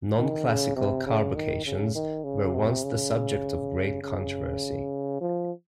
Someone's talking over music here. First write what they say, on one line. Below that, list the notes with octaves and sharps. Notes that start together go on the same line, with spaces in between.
"Non-classical" carbocations were once the subject of great controversy.
D#3
C#3
C3
C#3
D#3
C#3
D#3
C#3
C3
C#3
C#3
F3